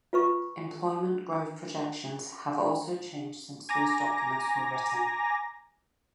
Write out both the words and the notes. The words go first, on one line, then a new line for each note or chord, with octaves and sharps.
Employment growth projections have also changed since those documents were written.
F4 B4 C#6
G#5 A#5 D6 A#6